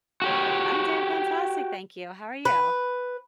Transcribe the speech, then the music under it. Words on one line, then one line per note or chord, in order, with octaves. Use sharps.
I'm doing fantastic, thank you. How are you?
F#4 G4 C#5
B4